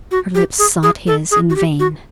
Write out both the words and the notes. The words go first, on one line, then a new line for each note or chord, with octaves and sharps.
Her lips sought his, in vain.
F#4
G4
G#4
G#4
A4
G#4
F#4
G4
F#4